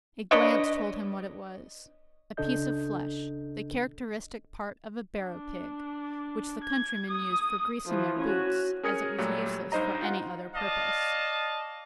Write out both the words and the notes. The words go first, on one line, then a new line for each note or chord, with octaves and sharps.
A glance told him what it was--a piece of flesh, the characteristic part of a barrow-pig, which the countrymen used for greasing their boots, as it was useless for any other purpose.
D4 B4 C#5 D#5
C#2 C#3 D4 A4 D#5 G6
D4
G#6
D#6
E3 F3
C#4 F#4
C#4 G#4 A#4 D#6 G#6 C#7
A#2 F#3 G3 A3 F#4
G2 D#4 C5 D#5 A#5
F4 F#5
D5 D#5 F5 A5